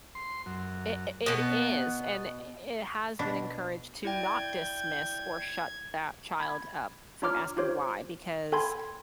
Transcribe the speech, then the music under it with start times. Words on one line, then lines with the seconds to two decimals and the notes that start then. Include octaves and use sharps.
It i it is, and i it has been encouraged to not dismiss or shut that child up from asking, "Why," because
0.15 C6
0.46 F#2
1.26 B2 B3
3.19 B2 D4
4.04 E4 D5 G5 G6 G#6
6.40 B5 G#6
7.22 D4 F4 C#5 A#5 D6 F6
7.57 D#4 F4 G4 C5 C#5
8.52 A4 G5 G#5 B5 C6 G#6